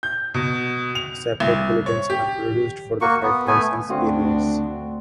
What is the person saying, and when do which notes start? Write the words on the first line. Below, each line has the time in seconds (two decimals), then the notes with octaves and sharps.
Separate bulletins are produced for the five licence areas.
0.03 G6
0.34 B2
0.95 F7
1.40 C2
1.86 C#5
2.10 G4
3.01 A#3 F#4 C#6
3.23 B3
3.48 A3 B3 G#5
3.90 D2 A3 C4 D4 F#4 F5